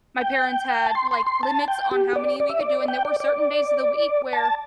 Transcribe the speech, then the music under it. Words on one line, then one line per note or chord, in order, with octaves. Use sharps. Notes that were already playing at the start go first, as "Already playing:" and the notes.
my parents had, like, limits on how many we could do, and there were certain days of the week where,
G5
A5
C6
C6
C6
A5
G5
G4
D5
D5
E5
D5
G5
D5
D5
A5